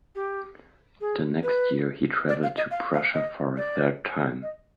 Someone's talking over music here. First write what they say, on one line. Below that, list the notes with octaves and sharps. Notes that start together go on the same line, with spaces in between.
The next year he travelled to Prussia for a third time.
G4
G#4
B4
D5
F5
D#5
F5
F5
D#5
D5
D#5